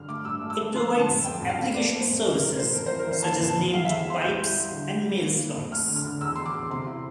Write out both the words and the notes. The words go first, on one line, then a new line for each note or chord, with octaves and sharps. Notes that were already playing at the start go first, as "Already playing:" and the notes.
It provides application services such as named pipes and MailSlots.
Already playing: G2 D3 F6
A3 D6
G2 E6
A3
E6
A3
F3 C6
D3
A5
F2
F2 G5
F2
F5
F2
A3 D5
A3
C5
F2
A3 A#4
A3 A#4
E3 C5
F2 A#4
C5
F2
A#4
E3 C5
A#3 A5
F2
A5
F2
E3 F5
E5
E2
F5
E3 C6
G3 G6
G3
G6
G3
D3
G3
G3
A#3
A#3
F2
A3 F6
D3
F6
D3
E2 E6
E2 C6
D6
E2
C3 C6
E4